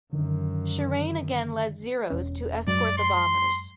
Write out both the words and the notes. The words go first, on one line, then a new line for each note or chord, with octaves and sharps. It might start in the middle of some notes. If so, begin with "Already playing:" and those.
Shirane again led Zeros to escort the bombers.
F#2 D3 D#3
E1 C#4
F#2 F#3 G#3 D5
C6